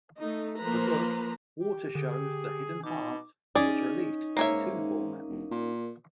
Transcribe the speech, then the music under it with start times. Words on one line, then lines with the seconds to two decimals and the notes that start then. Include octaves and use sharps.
The book "Water Shows the Hidden Heart" was released in two formats.
0.20 A3 D#4
0.61 F3 A#3 B4 C5 A#5
1.60 G4
1.95 D3 G#4
2.84 B2 D#4 D6
3.55 C#4 D#4 G#4 D5
4.37 G#2 A#3 C#5 E5
5.29 E1
5.51 A#2